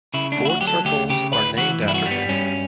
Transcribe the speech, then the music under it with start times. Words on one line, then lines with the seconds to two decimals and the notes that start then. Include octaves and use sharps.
Ford circles are named after him.
0.14 C#3 E4
0.32 D4
0.37 D2
0.45 E4
0.50 F#4
0.61 F#3 G4
0.67 A4
0.85 D2 G4
1.09 C#3 G4
1.33 D2 B4
1.58 E3 F#4
1.82 G2
1.88 E4
1.94 F#4
2.06 G3
2.11 B3
2.29 G2 C#4